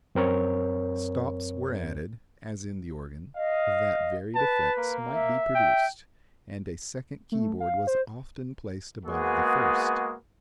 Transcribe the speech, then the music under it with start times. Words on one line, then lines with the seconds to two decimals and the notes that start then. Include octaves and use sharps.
Stops were added, as in the organ, that varied effects might be produced, and a second keyboard was often placed above the first.
0.15 F#2 C4 A#4 C#5
3.36 D#5 F5
4.35 B4 A5
4.78 A#3
5.13 E5
5.55 G5
7.32 A3
7.60 F5
7.87 C5
9.05 G#3 A#3 B3 F#4 G#4